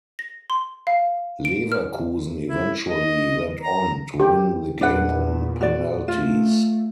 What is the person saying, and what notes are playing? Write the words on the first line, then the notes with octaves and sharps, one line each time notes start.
Leverkusen eventually went on to win the game on penalties.
A#6
C6
F5
D7
F6
E4
D#5
A#5
G4 G5
E2 A#2 D4 B4 F#5
F#4 D5
A3 F4